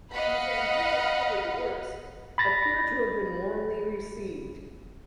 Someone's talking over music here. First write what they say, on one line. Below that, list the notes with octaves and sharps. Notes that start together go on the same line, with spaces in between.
These ambitious public works appear to have been warmly received.
D#5 F5 F#5 B5
B5 A6 A#6